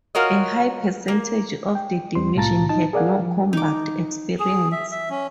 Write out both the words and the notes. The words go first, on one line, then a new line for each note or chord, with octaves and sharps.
A high percentage of the division had no combat experience.
F4 F#4 A#4 C#5 D#5
A#3
G5
E2 G3 C4 C6
C2 A2 F4 A5 A#5 A6
D#4 A5
G#4 A#4 D5 F5 F#5 G#5
F3
D#4 D6
G#4
E5
E5
C#4